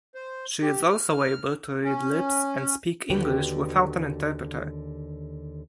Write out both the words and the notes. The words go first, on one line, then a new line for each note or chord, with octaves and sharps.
She is also able to read lips and speak English without an interpreter.
C5
G4
F6
C#4
D#2 D3 F#4 G4 B4 G5